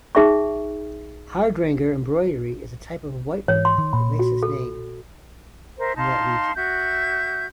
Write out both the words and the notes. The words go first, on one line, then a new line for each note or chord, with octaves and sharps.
Hardanger embroidery is a type of whitework that takes its name from that region.
D#4 G#4 E5 G5 C#6
G#2 E3 C#5
C6
D#3
A#2 B5
F#4
A4
A#4 C5 E5
D#4 F5 A5 C6
F#4 E5 G6